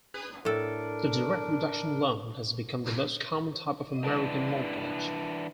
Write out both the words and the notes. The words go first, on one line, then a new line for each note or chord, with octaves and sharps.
The direct reduction loan has become the most common type of American mortgage.
A2 D4 A4 A#4
E3 D4